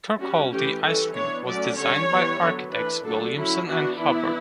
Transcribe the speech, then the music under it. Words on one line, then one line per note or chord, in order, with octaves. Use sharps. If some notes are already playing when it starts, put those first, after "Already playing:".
Kirkcaldy Ice Rink was designed by architects Williamson and Hubbard.
G3 C#4 F#4
E3 A3 C#4 G4
E3 G3 C#4 A4
E3 B3 D4 C#5
F#3 A3 C#4 D5
D3 G3 C#4 C#5
E3 G3 B3
D3 F#3 B3
E3 A3 D4 B4
D3 F#3 A3 D4 A4
F#3 C#4 E4
E3 B3 D4 F#4
E3 B3 D4 E4